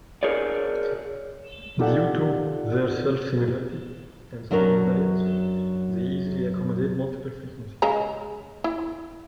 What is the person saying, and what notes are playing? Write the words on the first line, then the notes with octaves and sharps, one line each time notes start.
Due to their self-similarity and scale invariance, they easily accommodate multiple frequencies.
G#4 A#4 C#5 D5
D#4 F4 G4 A4 D5 F#5
F#2 F#3 D4 A#4 C#5
C#3 G#3 A#5
E4